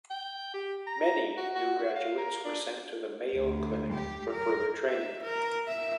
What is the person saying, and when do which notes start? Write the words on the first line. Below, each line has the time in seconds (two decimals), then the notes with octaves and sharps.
Many new graduates were sent to the Mayo Clinic for further training.
0.10 G5
0.54 G4
0.87 A#5
1.37 F#4
1.55 F#4
1.79 F#4
1.96 F5
2.17 A#4
2.45 D4
3.35 D2
3.93 G4
4.31 A#4
4.86 E5
5.22 A#4
5.67 E5